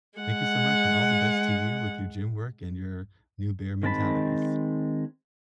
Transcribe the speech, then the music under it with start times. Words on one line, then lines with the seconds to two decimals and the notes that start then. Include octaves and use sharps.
Thank you so much, and all the best to you with your gym work and your new bear mentalities.
0.19 G#3 F#5
3.83 D#3 G#3 C4 A5 B5